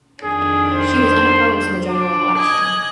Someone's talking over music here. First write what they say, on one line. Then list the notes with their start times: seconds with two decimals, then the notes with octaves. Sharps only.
She was unopposed in the general election.
0.23 F2 D#3 D4 G#4
0.73 C5
1.89 D4 D6
2.36 D#5 G#5 F#6